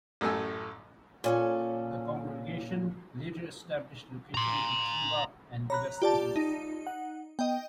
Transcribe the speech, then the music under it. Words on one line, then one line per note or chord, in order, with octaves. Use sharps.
The congregation later established locations in Cuba and the West Indies.
A1 F#2 A2 A3 G#5 E6
A#2 C#4 A4
A#5 C6
C#5 A#5 B5 F#6
F4 G4 D5 A5
D#4
F#5
B3 D#5 G5